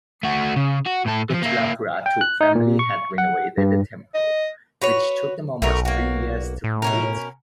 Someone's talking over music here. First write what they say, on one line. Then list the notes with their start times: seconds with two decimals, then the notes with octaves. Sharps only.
The Chalapurathu family had renovated the temple, which took almost three years to complete.
0.23 A3 F#4
0.56 C#3
0.86 F#4
1.05 A2 A4
1.30 E3 F3
1.42 A#3 E4
2.06 G5
2.21 F#6
2.41 D#4
2.55 A#2
2.79 C#6
3.18 F#5
3.58 G2
4.15 D#5
4.82 F#4 B4 C#5
5.62 B1 A3 F#4 A#4
5.85 A#3 F#4
6.64 A2
6.82 B2 C#4 A#4